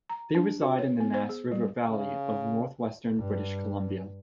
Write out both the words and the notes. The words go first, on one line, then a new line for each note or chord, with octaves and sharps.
They reside in the Nass River valley of northwestern British Columbia.
A#5
D4
F#4
C#5
B3
C5
G#4
G3
C#3
G2